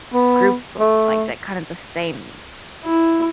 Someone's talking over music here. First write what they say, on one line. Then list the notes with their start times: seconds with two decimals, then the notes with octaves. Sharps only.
groups, like, that kind of the same
0.13 B3
0.80 A3
2.85 E4